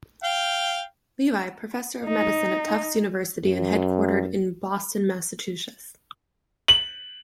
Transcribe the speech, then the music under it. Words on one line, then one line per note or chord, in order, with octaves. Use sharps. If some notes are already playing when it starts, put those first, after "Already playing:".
Levy, Professor of Medicine at Tufts University and headquartered in Boston, Massachusetts.
F5 G5
D#4
F#2
F#7